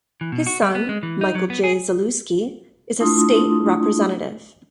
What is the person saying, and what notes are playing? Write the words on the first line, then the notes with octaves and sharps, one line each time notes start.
His son, Michael J. Zalewski, is a state representative.
E3
B2
F#4
G3
B3
G#3
E3
D#4
F#3
B3
G#4
A3 D4 E4 F4 C6 D#6